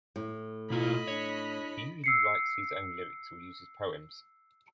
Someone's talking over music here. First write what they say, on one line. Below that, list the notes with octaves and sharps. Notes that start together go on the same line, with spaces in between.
He usually writes his own lyrics or uses poems.
A2
B2 A#3 E4 F4 D#5 B5
D4 C#5
E6 C7 C#7